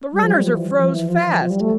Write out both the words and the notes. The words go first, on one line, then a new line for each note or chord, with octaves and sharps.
The runners are froze fast.
G3
F3
G3
F3
E3
F3
E3
F3
F3
G3
A3